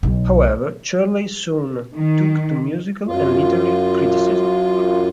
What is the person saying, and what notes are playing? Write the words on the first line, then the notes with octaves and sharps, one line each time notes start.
However, Chorley soon took to musical and literary criticism.
B1
D#3
F#2 F4